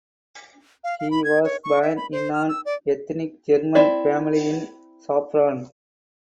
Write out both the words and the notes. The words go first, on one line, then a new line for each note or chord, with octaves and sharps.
He was born in an ethnic German family in Sopron.
F5
F5
B5
G#6
C#5
C#6
E5
B5
C5
F6
E6
D5
C4 E4 D5